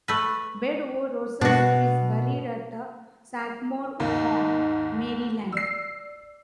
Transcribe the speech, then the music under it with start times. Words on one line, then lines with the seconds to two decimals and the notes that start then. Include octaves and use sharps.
Bed o' Roses is buried at Sagamore Farm, Maryland.
0.08 A3 B4
1.41 B2 B3 D4 F#4
4.00 D#2 G#2 A#3 D#4
5.52 D5 E6 C7